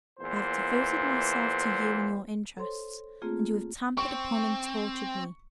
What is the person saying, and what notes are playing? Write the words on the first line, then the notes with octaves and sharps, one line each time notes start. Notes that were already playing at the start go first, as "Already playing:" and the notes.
I have devoted myself to you and your interests, and you have trampled upon and tortured me.
E2 A#2 E3 C5
A4 C5 C#5 C6
A3 A#3 C4 F4 G#4
C4 C#6